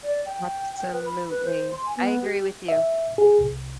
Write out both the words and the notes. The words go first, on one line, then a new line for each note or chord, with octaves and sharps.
Absolutely. I agree with you.
D5
G5
G5
B4
B5
B4
C5
C6
G#5
B3
G4
E5
G#4
C2